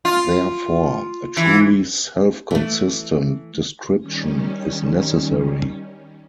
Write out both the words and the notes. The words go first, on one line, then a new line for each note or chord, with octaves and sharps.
Therefore, a truly self-consistent description is necessary.
F4
E3
E3 A3
D#3 G3 C#4